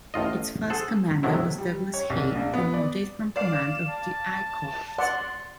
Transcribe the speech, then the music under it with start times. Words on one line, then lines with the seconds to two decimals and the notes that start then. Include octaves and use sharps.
Its first commander was Douglas Haig promoted from command of the I Corps.
0.14 A1 A2 F4 D#5
0.70 G#4 A4 C5 F#5
1.23 A2 C3 D#3 F3 F#3 E4
1.58 G3
1.94 C#5
2.10 C2
2.35 A#1
2.54 B3
2.74 D5
3.36 D5 F5 D6 E7
3.88 A5
4.98 D5 F#5 C6